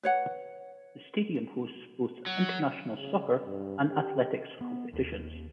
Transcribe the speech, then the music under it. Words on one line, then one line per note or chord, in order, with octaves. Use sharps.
The stadium hosts both international soccer and athletics competitions.
B4 C#5 F#5
F#3
C#3
G2
G4
B3
D#2